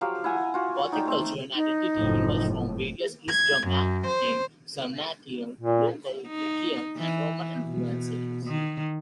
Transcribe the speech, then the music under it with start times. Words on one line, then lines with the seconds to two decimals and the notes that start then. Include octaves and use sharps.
Gothic culture and identity emerged from various East-Germanic, Sarmatian, local Dacian, and Roman influences.
0.01 F3 F#3 G4 F5
0.24 E4 F#5 G#5 A#5
0.54 F4 F#4
0.79 C#5
0.92 D#4 D5 G5
1.05 A3 C4
1.55 D#4
1.97 F#1 F2 A2
3.27 G#6
3.65 F#2
4.06 C5
5.61 A#2
6.27 D#4
6.98 E3
7.64 B2
8.46 D#3